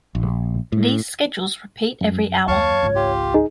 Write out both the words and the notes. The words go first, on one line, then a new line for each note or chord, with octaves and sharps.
These schedules repeat every hour.
A#1
A2
F#2
D#2 C#5 F5 A5 C#6
G#1 C#2
F4 G4
D#4 G#4